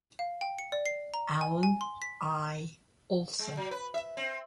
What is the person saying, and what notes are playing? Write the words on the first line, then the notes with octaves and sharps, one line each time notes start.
Allen I. Olson.
F5
G5
C#7
D5
C7
A#5
G#5
G#5
C6
B6
G#3
F#3
B4
E5
C4